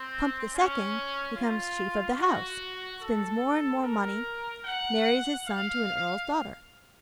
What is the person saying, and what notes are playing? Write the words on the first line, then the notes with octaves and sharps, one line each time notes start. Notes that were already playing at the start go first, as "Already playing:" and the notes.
Pump the Second becomes chief of the house, spins more and more money, marries his son to an Earl's daughter.
Already playing: C4
C#4
F4
F#4
A4
A#4
F#5
F5